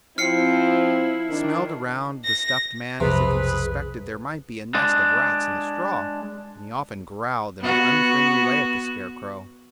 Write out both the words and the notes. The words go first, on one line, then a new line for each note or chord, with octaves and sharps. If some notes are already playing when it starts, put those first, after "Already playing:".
He smelled around the stuffed man as if he suspected there might be a nest of rats in the straw, and he often growled in an unfriendly way at the Scarecrow.
F3 C4 E4 F6 C7 C#7
D#3 D4
A#6
B1 F2 C3 G#4 B4
G#3 D4
B3 F#4